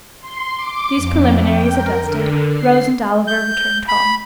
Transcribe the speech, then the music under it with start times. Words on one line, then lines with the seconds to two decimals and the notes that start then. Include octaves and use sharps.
These preliminaries adjusted, Rose and Oliver returned home.
0.19 C6
0.54 D6
0.96 F2
1.39 G5
1.68 A#4
1.98 D3
2.50 C7
3.27 G6
3.88 B5